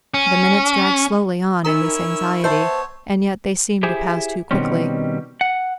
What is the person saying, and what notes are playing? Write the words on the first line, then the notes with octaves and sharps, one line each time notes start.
The minutes dragged slowly on in this anxiety, and yet they seemed to pass too quickly.
C#4
C#4 D#4 E4 A#4 A#5 E6
B3 C5 C#5 E5 A5 G6
E4 G4 G#4 C5
B2 D#3 G3 C4 C#4
F#5